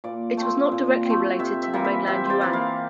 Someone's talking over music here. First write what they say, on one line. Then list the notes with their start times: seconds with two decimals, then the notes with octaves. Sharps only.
It was not directly related to the mainland yuan.
0.04 A#2 D5
0.37 A3 C4
0.72 A#2
1.06 A3 C4
1.39 C3 E5
1.62 E5
1.74 E3 A#3
1.84 E5
2.07 C3 E5
2.25 C5
2.30 D5
2.41 E3 A#3
2.53 F5